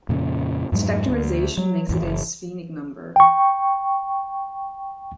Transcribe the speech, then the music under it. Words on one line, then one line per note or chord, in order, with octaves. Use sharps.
Its factorization makes it a sphenic number.
F2 A#2 C#3
F2 G#2 F#3 G#3
D2
F#3
G#1 E2 E3
F#1
G5 C#6